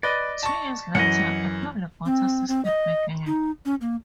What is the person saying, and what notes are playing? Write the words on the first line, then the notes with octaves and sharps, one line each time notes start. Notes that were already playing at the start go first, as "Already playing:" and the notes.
Two years later a public water system began.
B4 D5 D#5
A5 C#6
F#2 E3 D#5 F#5
C4
C4
D#5
D#4
C#4
A#3